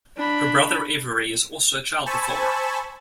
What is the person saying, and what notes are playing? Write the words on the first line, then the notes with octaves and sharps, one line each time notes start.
Her brother Avery is also a child performer.
D4 B5
C5 G#5 A5 B5 C#6 E6